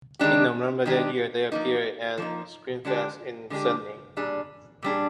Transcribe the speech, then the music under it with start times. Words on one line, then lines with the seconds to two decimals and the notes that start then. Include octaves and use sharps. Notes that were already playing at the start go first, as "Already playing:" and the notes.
In November that year they appeared at Screamfest in Sydney.
0.19 D#3 G#3 D4 G4
0.86 D#3 G#3 D4 G4
1.52 F3 A#3 D#4
2.18 F3 A#3 D#4
2.85 D3 G#3 D4 G4
3.50 D3 G#3 D4 G4
4.17 A#2 G3 D4 G#4
4.82 A#2 G3 D4 G#4